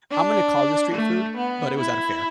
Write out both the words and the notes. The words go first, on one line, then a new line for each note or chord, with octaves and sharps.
I'm gonna call this street food, but it was at a fair.
D4
A3
B3
E4